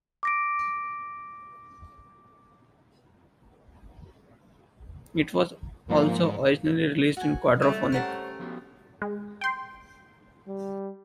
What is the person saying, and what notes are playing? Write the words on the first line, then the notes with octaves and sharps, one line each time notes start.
It was also originally released in quadrophonic.
D6 A#6 D7
G#2 F3 A#3
F#4 G#5
D3 E3 G3 A3
C#4 G4 A#4 C5 C#5 F#5 A5
F3 B3 F#4
G#3
G5 C6
G3